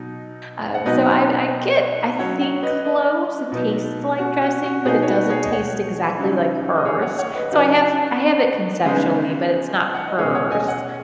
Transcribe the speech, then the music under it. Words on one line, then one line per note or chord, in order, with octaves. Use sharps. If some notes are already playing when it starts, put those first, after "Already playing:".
Um, so I I get, I think, close, it tastes like dressing, but it doesn't taste exactly like hers. So I have I have it conceptually, but it's not hers,
Already playing: B2 F#3 D#4
F#5
B2 F#3 B3 D#4 B4 D#5
F#3 C#4 C#5 F#5
C#5 F#5
B4 D#5
B4 D#5
B2 F#3 B3 D#4
F#4
F#4
F#4
B2 B3 D#4 G#4
C#5
F#4 B4
G#4 C#5
D#5
C#5 F#5
C#3 F#3 D#4
D#5
G#4 C#5
C#5 F#5
C#5 F#5
F#5
B4 D#5
C#3 F#3 D#4 F#4 B4
C#3 G#3 B3 D#4
F#5
D#5
B2 G#3 C#4 G#4 C#5
C#5 F#5
D#5 G#5
D#5
C#5 F#5